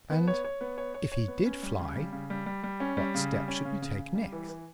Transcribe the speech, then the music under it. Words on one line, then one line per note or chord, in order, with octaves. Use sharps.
And if he did fly, what step should we take next?
B3
C#5
C#5
B3
C#5
C#5
C#5
B3
C#4
G3
C#3
G3
C#3
G3
G3
G3
C#4
G3
C#3
G3
C#4
C#3
C#3
C#3
G3
E3
E3